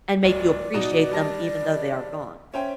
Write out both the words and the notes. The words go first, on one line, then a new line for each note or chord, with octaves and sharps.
and make you appreciate them even though they are gone.
D1 D5
B2 D#4 F#4
G3 A5 A#6
C#4 C5 E5 G5